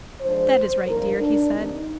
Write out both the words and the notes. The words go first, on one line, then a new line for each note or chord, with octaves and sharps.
"That is right, dear," he said.
G#2 F3 G#3 D4 C5
G#2 F3 A#3 D4 A#4
D4
G2 D#3 G3 C4 D#4